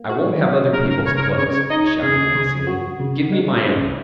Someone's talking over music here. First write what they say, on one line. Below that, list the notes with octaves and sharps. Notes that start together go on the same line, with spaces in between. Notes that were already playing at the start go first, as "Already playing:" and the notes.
"I won't have other people's clothes!" he shouted menacingly, "give me my own!"
Already playing: A#3
F#4
F#3
C#3 A#4
A#4
C#3 C#5
A#4
C#5
C#3 C#5
C#5
D#4 D#5
C#5
C#3 G#4
C#3
F#4
C#3
G#3
C#3